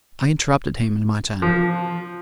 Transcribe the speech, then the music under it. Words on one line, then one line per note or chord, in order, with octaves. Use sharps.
I interrupted him in my turn.
F3